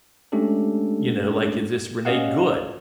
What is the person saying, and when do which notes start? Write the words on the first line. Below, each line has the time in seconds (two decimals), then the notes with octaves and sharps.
you know, like, if this Renee Good,
0.32 G#3 A3 C#4 D4 G4 A4
2.05 C#4 G4 D5 D#5 F5 F#5